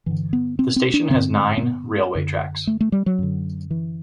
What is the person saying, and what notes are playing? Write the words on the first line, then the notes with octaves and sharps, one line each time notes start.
The station has nine railway tracks.
G2 D3 E3
B3
C4
C4
D4
G2 D3 C4
C4
B3
F#2 D3
A3
A3
G3
F#3
F#2 D3
E3